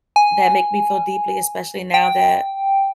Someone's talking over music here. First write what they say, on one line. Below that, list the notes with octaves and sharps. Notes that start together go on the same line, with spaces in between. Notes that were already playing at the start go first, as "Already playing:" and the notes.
that make me feel deeply, especially now that,
G#5
G5